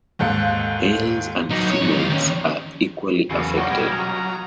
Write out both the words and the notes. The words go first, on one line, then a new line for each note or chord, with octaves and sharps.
Males and females are equally affected.
D#2 G#2 A4 F5 F#6
F#3 D#4
C#5
G#2 F#3
D#2 F5
D#3 C#4
E2 C#3 F#3 A#3 C#4 F#4 A4
E3 C#4 D4 F4 C#5 D#5 F#5 G5
B2 G3 G#4 G5 A#6
F#3 A#5